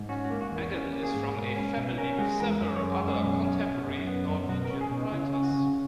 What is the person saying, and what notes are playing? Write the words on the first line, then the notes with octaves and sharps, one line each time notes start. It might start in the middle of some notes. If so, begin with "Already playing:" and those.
Eggen is from a family with several other contemporary Norwegian writers.
Already playing: G#2
C#4 F#4
F#4
A#3
F#4
E2
E4
C#4 E4
A#3
G#4
G#2
B2
C#4
B2
C#4 A#4
G#3 F#4
E2 A#4
F#2 E5
C#5
G#3
F#2
G#4
B2
C#4
B2
F#2
B3
F#2
B2 F#4
A#4
C#4
G#4
B2
D#4
C#3 E4
C#4
F#4
C#3